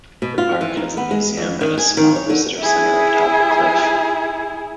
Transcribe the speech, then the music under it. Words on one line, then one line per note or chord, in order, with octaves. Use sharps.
The park has a museum and a small visitor center atop a cliff.
B2
F4
E3
D#4
B3
G#3
F2
D#3
G#5
D#3
C#5
D3
E4 G#4